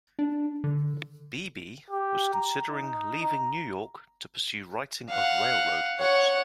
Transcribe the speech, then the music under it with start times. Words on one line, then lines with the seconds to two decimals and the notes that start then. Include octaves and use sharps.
Beebe was considering leaving New York to pursue writing of railroad books.
0.19 D4
0.64 D3
1.90 G4
2.33 A#5
2.72 D#4
3.23 A#5
5.10 F5 F#5
5.99 C#5 F#5